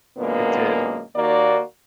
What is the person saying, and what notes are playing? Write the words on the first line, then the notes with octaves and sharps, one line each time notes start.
It did?
F#2 A#2 D3 G#3 A#3 B3
D#2 D#3 A#3 F#4 D5